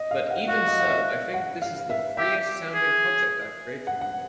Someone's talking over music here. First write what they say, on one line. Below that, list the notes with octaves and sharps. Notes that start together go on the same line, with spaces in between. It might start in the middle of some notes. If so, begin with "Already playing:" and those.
But even so, I think this is the freest sounding project I've created.
Already playing: D#5
F5
F#5
F#4 F5
D#5
F5
E5
F#5
F5
E5
G4 E5
G#4
F#5
F#5